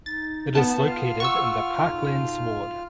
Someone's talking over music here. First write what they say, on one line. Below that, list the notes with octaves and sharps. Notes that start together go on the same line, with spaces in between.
It is located in the Parklands ward.
D#4 A6
B3 A5
F4 F5 F6
F#5 C#6 E6
F2 B2 D#4